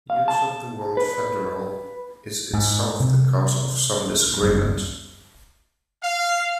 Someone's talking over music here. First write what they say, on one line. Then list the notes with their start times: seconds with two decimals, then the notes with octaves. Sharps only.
Use of the word 'federal' is itself the cause of some disagreement.
0.10 F5
0.28 A5
0.97 B4
2.54 G#2
3.00 C3
4.42 F#1 G2
6.03 F5